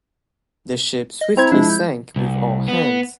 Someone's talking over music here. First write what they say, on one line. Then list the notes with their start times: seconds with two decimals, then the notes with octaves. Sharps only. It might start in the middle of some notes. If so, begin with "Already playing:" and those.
The ship swiftly sank with all hands.
1.21 D#5
1.37 C4 E4 C5 A#5 G#6
1.52 F3 G#3 D4
1.70 G6
2.16 C2
2.68 B3